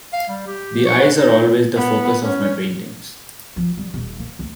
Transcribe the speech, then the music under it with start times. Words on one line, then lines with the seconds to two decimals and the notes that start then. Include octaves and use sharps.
The eyes are always the focus of my paintings.
0.13 F5
0.29 G3
0.47 G4
0.86 C#6
0.99 B4
1.17 D#4
1.75 B3
2.22 C#4
3.56 F3
3.77 G3
3.94 D#1
4.19 A#3
4.39 D2